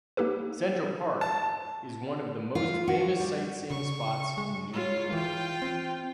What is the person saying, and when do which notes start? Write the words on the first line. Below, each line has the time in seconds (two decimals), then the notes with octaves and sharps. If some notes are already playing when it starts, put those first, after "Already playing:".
Central Park is one of the most famous sightseeing spots in New York.
0.17 A#3 D#4 G4 A4 B4
1.21 A5
2.55 F4
2.88 F#4
3.20 G3
3.70 C#3 C#6
4.38 G#3
4.73 F4 C#5
5.12 E3 F4 G5
5.62 C4